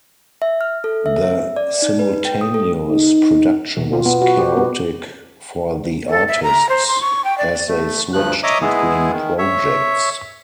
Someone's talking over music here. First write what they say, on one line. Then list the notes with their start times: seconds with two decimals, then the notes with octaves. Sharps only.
The simultaneous production was chaotic for the artists, as they switched between projects.
0.42 E5
0.61 F6
0.84 A4
1.06 E5
1.22 E5
1.56 D5
1.82 D#4
1.99 B4
2.25 G5
2.41 D#6
2.54 A4
2.89 D#4
3.77 B2
3.93 F4
4.06 B3
4.22 F#4
4.38 G4
4.57 B3
6.10 A4
6.28 E5
6.43 A#5
6.69 C5
6.88 C6
7.02 C#6
7.24 G5
7.38 D5
7.68 A3
8.13 D2 G2 F3 F#6
8.43 C#5 D#5 E5 A#5 D6 D#6
8.62 G#3 B3 E4 G#4
9.12 D#3
9.38 C#5 E5